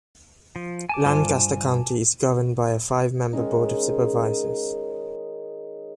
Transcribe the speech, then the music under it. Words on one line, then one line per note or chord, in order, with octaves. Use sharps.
Lancaster County is governed by a five-member board of supervisors.
F3
G#5 A5 D6
G2 F4 C5
D#3 G#3 C#4 D#4